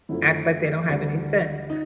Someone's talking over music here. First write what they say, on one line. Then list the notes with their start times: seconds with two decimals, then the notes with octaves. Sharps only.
act like they don't have any sense.
0.09 F#2 D3 F3 A3 E4
0.89 D2 D3 G3
1.70 D#4